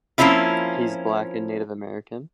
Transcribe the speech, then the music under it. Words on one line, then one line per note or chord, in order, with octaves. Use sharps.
He is black and Native American.
F3 A#3 C4 C#4 E4 F4